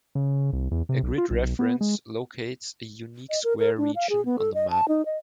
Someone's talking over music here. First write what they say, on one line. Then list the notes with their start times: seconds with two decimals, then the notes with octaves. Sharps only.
A grid reference locates a unique square region on the map.
0.15 C#3
0.53 C2
0.71 E2
0.89 C3
1.03 B1
1.18 F4
1.30 B1
1.59 B3
1.81 G#3
3.30 D#5
3.44 A#4
3.59 A#4
3.78 D4
3.96 F5
4.10 G#4
4.25 B3
4.39 A4
4.54 D#5
4.70 A5
4.88 D#4
5.06 D#5